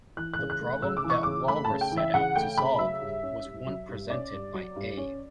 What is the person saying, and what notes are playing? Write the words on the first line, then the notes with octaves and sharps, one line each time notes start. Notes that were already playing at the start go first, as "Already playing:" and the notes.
The problem that Walras set out to solve was one presented by A.
E3 F#6
F#6
C#3
F#6
A3
C#3 E6
D6
E3
C#6
C#3 D6
A3 B5
A5
C#3
G5
E3
E5
C#3 F#5
A3 G5
C#3 B5
F#3 E5
G2
C#4
G2
F#3
G2
C#4 D5
G2
F#3
G2
C#4